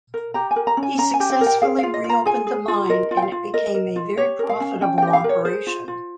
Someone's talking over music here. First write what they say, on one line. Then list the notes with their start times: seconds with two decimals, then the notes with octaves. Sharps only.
He successfully reopened the mine and it became a very profitable operation.
0.14 A#4
0.34 G4 A#5
0.51 G#5
0.56 A#4
0.67 A#5
0.77 C#4
0.83 G#5
0.98 C#4 A#5
1.14 G#5
1.20 G4
1.30 G5
1.41 A#4
1.46 G5
1.62 G#4 F5
1.78 F4 F5
1.94 D#5
2.04 F4
2.09 A#5
2.26 G#4 G#5
2.47 G#4
2.68 F4
2.89 A#4 D#5
3.11 F4
3.17 G5
3.22 F5
3.32 F4
3.54 A#4 D#5
3.74 A#4
3.96 F4
4.17 G4 C#5
4.39 A#4
4.49 F5
4.60 C#4
4.81 C#4 G5
4.98 G5
5.02 G4
5.07 D#5
5.13 F5
5.24 A#4 C#5
5.45 G#4 C5
5.67 F4
5.88 F4